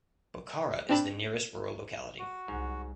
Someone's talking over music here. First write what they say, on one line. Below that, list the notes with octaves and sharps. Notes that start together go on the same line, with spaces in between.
Bukhara is the nearest rural locality.
C4 D4 A5 B5
F#4
C2 G#2